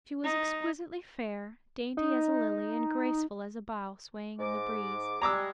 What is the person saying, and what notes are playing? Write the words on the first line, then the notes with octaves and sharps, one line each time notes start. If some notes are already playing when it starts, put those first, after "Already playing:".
She was exquisitely fair, dainty as a lily and graceful as a bough swaying in the breeze.
D#4
D#4
G#2 D6
G3 G#3 A#5 D6 E6